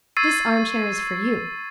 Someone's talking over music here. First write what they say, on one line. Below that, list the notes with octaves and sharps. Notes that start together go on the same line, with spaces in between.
This armchair is for you.
C#6 E6 G#6 A6 C7 D#7